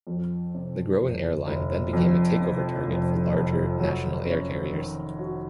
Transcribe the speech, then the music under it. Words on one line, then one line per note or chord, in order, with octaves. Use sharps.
The growing airline then became a takeover target for larger, national air carriers.
F2
C3
F1
F1
F2
C3
F1
F1
F#3
C#4
D#3
F#4